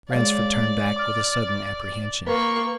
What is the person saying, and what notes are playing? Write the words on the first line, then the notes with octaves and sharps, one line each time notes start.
Ransford turned back with a sudden apprehension.
G#3 C#5 D5 F5
D6 F6
A#3 B4 C#6